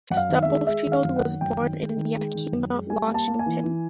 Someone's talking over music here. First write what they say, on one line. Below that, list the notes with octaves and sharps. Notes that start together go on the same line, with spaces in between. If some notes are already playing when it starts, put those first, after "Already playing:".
Stubblefield was born in Yakima, Washington.
F#2 F#5
F5
D#3
E5
G#3
G#3 E5
D#3
F5
F#2
F#5
D#3
F#2 G5
D#3
G#3
D#3
G#3
D#3
F#2
G#3
G3 G#5
A#3
A5
A#3
G#5
E3
E3